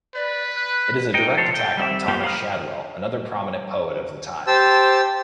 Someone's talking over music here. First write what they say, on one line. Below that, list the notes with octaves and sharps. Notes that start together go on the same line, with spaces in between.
It is a direct attack on Thomas Shadwell, another prominent poet of the time.
B4 D5
F#6
D#4 G5
F3 A4 C5 C#5
A4 G5
G3 C4 E5
G3 A#3 B3 F4 G4
F5 A#5 B5 D#6 F6
G4 C5 A5 E6